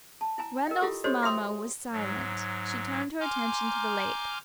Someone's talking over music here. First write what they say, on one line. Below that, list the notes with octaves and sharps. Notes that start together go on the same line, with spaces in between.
Randolph's mamma was silent; she turned her attention to the lake.
A5
E4 G#5 A#5
A#4 D#5 G5
E4 F4 G4 A4
F#4 G4 A4 C5 C#5 D#5
F#4 E5 G5 C6 D#6
G#2 F#3
G#5 A#5 C6 D6 F6 G6